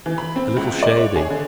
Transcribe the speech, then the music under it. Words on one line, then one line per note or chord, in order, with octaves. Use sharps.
A little shady.
E3
B5
C4
C#2
D5
C#5
G#4
D3